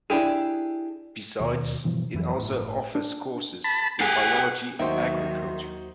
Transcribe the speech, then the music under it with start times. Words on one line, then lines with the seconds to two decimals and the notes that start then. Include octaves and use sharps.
Besides, it also offers courses in biology and agriculture.
0.10 D4 E4 G4 G#4
1.40 D1 D#2 B2 D#3
1.84 G2 B2 E3 F3
2.14 F2 E3 F#3
2.37 G1 A2
2.95 D4
3.64 A5 B5
4.01 G4 G#4 F#5
4.79 D#2 D#3 F#3 D#4 F#4 C5 E5 G5